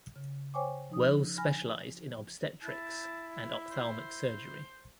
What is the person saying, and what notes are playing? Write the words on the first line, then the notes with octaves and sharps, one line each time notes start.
Wells specialized in obstetrics and ophthalmic surgery.
C#3
C5 C#5 G5 G#5 C#6 D6
F3 D#4 D#6
G#5 B5 F6 A#6
E4 A5
C5